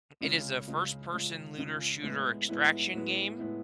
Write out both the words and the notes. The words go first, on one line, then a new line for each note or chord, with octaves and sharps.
It is a first-person looter shooter extraction game
C#2 C#3 G#3
C#2 C#3 G#3
C#2 C#3 G#3
C#2 C#3 G#3
A2 G#3 B3 E4
A2 G#3 B3 E4
A2 G#3 B3 E4
A2 G#3 B3 E4